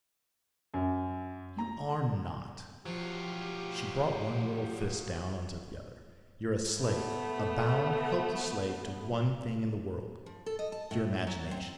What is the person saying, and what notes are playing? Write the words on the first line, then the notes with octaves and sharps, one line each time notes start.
"You are not!" She brought one little fist down onto the other. "You're a slave, a bound helpless slave to one thing in the world, your imagination."
F#2
A#5
F3 F#3 F4 G4
A3 B3
F3
A4
D#5
A5
A2
F#3
C4